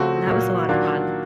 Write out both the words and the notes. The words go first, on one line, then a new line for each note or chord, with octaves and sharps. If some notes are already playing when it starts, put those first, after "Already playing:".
and that was a lot of fun.
Already playing: C#3 F3 A3 C4 F#4
A#2 F#3 A#3
D#3 F#3 A#3 D4 F4